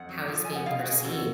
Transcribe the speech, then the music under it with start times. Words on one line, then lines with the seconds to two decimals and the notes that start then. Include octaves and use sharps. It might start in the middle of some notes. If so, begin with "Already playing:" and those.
How he's being perceived?
Already playing: F2 F#5
0.09 F#3
0.28 F3
0.45 F2 G#5
0.56 F#5
0.66 B2 F5
0.79 F#4
0.86 B2
0.92 G#4
1.04 F2 F#4